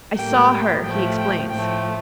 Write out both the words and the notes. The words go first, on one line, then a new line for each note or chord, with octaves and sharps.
"I saw her," he explains.
A2 G3 A#3 G5
A2 F3 A3 G5
G5
A2 F3 A3 G5